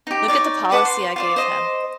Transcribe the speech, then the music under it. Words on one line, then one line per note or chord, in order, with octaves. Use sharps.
Look at the policy I gave him!
D#4 G4
D#4 C#5 D5
B4 F#5 A5 D6
C6
F4 C5 D5
C5 D#5